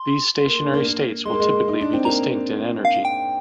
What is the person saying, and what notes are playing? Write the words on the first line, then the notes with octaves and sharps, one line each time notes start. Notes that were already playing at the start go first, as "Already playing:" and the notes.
These stationary states will typically be distinct in energy.
Already playing: C6
A#3
D4
A#3
A#3
G#3 C6
A#3
G#3
D#4
D4
C4
A#3 A#5
F5
G5